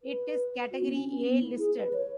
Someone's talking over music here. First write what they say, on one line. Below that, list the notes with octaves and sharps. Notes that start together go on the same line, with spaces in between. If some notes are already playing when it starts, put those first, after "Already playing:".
It is category A listed.
B4
F#4
B3
C#4
C#4
B3
E4
G#4
B4
C#5